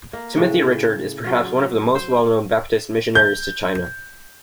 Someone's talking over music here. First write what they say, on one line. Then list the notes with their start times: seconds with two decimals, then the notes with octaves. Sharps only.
Timothy Richard is perhaps one of the most well-known Baptist missionaries to China.
0.13 A#3
0.37 A2 C#3
1.24 F#3 F4
1.95 C5
3.15 G6